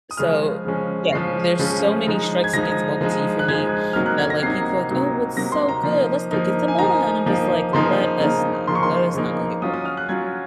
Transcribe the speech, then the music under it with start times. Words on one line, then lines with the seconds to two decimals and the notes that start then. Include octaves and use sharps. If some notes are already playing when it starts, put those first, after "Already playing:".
so, yeah, there's so many strikes against boba tea for me that, like, people are like, "Oh, it's so good. Let's go get some boba," and I'm just like, "Let us not, let us not go get boba.
0.11 D#6
0.17 C#3 F3 G#3 C#4 F6
0.65 C#3 F3 G#3 C#4
1.12 C#3 F3 G#3 C#4 C7
1.59 C#3 F3 G#3 C#4
2.07 F3 G#3 D#4
2.44 G#6
2.54 F3 G#3 D#4 A#6
3.01 F3 G#3 D#4
3.39 F#6
3.48 F3 G#3 D#4 G#6
3.93 C3 F#3 A#3 D#4 F6
4.06 F#6
4.18 G#6
4.30 A#6
4.43 C3 F#3 A#3 D#4 C7
4.90 C3 F#3 A#3 D#4
5.36 C3 F#3 A#3 D#4 A#6
5.52 C6
5.69 A#5
5.84 F3 A#3 D#4
6.31 F3 A#3 D#4
6.68 G#5
6.79 F3 A#3 D#4 A#5
7.26 F3 A#3 D#4
7.73 C#3 F3 A#3 D#4 C6
8.20 C#3 F3 A#3 D#4
8.67 C#3 F3 A#3 D#4 C6
8.75 C#6
8.83 C6
9.14 C#3 F3 A#3 D#4
9.62 F#3 C#4 F4 D#6
9.74 D#6
9.85 F6
9.97 F#6
10.09 F#3 C#4 F4 G#6